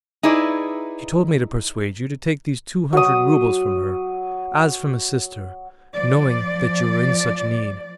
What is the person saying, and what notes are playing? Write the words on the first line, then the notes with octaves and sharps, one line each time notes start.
She told me to persuade you to take these two hundred roubles from her, as from a sister, knowing that you are in such need.
D#4 E4 G#4 B4 D5
F#3 D#6
F3 D5